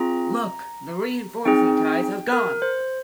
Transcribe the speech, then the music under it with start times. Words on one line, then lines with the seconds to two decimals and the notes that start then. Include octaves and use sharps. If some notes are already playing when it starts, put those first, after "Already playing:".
Look, the reinforcing ties have gone!
Already playing: C4 F4 G#4 A#5
1.45 C4 D#4 G#4 G5
2.33 A#4
2.62 C5